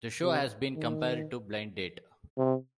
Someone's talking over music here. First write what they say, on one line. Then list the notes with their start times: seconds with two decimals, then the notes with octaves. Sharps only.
The show has been compared to "Blind Date".
0.22 C3
0.76 D#3
2.38 C3